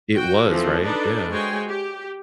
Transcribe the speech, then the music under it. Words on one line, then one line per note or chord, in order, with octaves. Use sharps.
It was, right? Yeah.
F#4 G5
E3 F3 C4 A4
D4 D#4 A4 B4 D5
G#3 F#4 C5 C#5 G5 G#5
G4